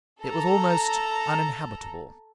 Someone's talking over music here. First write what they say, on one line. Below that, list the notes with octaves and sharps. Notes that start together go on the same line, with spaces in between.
It was almost uninhabitable.
A4 A#5